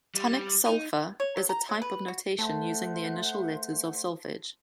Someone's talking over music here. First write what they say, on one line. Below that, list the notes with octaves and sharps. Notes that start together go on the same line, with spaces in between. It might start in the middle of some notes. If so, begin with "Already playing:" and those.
Tonic sol-fa is a type of notation using the initial letters of solfege.
G3
D#4
C#5
F#3
A#5
F#3
B4
F#4
A3 C5 E5 F#5 A5 C6